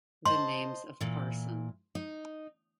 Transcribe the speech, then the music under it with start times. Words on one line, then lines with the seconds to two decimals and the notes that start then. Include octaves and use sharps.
The names of Parson.
0.25 C5 D#5 A5 C6
1.01 A#2 E3
1.95 D#4